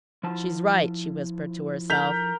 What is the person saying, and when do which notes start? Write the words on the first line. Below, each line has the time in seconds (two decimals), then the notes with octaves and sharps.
"She's right," she whispered to herself.
0.23 F3 E4 A5
1.90 A#4 G6 B6 F7